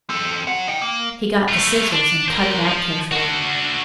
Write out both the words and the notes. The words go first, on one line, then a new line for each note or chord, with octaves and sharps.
He got the scissors and cut it out carefully.
C4 A4
C#5 F#5
D#5 G5
A#3
A3 F4
D4
A#4 C5
F3
D4 F#4